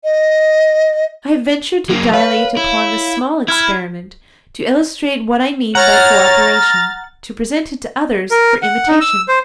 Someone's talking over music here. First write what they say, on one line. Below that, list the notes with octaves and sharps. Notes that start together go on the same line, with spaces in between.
I have ventured to dilate upon the small experiment to illustrate what I mean by co-operation to present it to others for imitation.
D#5
F#3 A#3
B4 C#5 F5
E4
E4 B5 F6 G#6
C#5 F#5 A#5 F6 A6
A#4
F#5
D#4
E6
C5